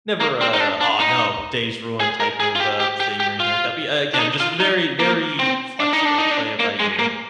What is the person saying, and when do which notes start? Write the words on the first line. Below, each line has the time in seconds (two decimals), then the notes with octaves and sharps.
never a, "Aw, no, day's ruined," type of, uh, thing or anything like that, but again, just very, very flexible, play it by ear.
0.20 A#3
0.41 C4
0.53 D#4
0.60 D4
0.81 D4
1.00 D#4
2.00 G#4
2.20 A#4
2.40 G#4
2.55 F4
2.60 G4
2.80 G4
3.00 G4
3.20 G4
3.40 F4
4.14 D4
4.20 D#4
4.40 F4
4.60 D#4
4.99 A#3
5.39 C4
5.80 D4
5.93 D#4
6.05 D4
6.18 D#4
6.31 D4
6.60 A#3
6.80 G#3
6.99 A#3